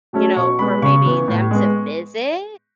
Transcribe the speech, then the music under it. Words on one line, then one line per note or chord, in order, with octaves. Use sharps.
you know, for maybe them to visit.
F#3 A3 C#4
B2 C#6
G#3 B3 B5
C#3 C#6
E3 B3
A2
G#3 B3